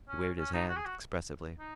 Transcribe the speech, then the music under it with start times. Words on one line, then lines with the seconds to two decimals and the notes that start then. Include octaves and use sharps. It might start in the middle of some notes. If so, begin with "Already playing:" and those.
He waved his hand expressively.
0.08 C#4
0.38 C#4
0.53 D#4
0.69 F#4
0.77 G#4
0.85 F#4
1.59 D#4